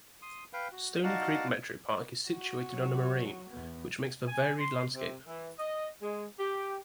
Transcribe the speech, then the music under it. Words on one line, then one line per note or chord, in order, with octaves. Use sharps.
Stony Creek Metropark is situated on a moraine which makes for varied landscape.
C6 D#6
B4 F5 G5
F#4
D#4 F#4 D5 F5 F#5 A5
F#4
F#3
E2 B3
G#5
C6
C3
E3
D#5
G#3
G4